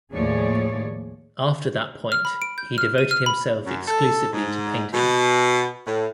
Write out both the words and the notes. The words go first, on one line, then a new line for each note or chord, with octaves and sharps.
After that point, he devoted himself exclusively to painting.
D#2 A2 F3 G#4 C#5 D5
F6
B5
D7
G6
F6
D#7
F6
B5
F#2
A4
G#2
B2
A2